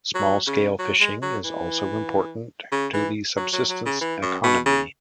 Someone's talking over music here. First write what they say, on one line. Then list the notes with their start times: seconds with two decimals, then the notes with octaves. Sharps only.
Small-scale fishing is also important to the subsistence economy.
0.15 F#3
0.47 C#3
0.79 F#3
1.00 G#3
1.22 F#3
1.44 E3
2.72 C#3
2.93 E3
3.37 F#3
3.53 F#3
3.69 F#3
3.86 C#3
4.01 E3
4.22 F#2
4.44 B2
4.66 C#3